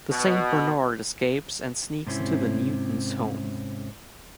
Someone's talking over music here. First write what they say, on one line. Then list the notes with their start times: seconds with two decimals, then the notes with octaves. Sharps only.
The Saint Bernard escapes and sneaks into the Newton's home.
0.10 B2
2.06 G#2 C3 C4 C#4 E4